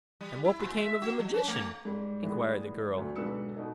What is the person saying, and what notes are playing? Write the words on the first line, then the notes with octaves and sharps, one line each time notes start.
"And what became of the Magician?" inquired the girl.
G3
E4
A#2
E5
F#4
F#3
C#4
A3
G#2 G3
A2 D#3 E3 G3 G#3 B3
D2 G2 F#3 A3
B1 G#2 D3 B4 E6 C#7
B2 D#4 A4